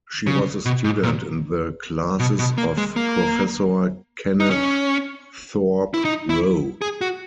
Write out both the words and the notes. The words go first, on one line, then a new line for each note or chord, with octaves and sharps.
She was a student in the classes of Professor Kenneth Thorpe Rowe.
C#3
B2
G#2
A#2
B2
B2
A#3
G#3
A#3
D#4
C#4
E4
D#4
E4
G#4
F#4